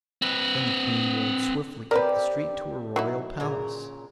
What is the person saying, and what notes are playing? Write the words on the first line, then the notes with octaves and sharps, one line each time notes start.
Then the Queen rode swiftly up the street to her royal palace.
C4 B4
C4 G4 A#4 B4 D5
F#3 D#4 E4
A#2 C#3 A#4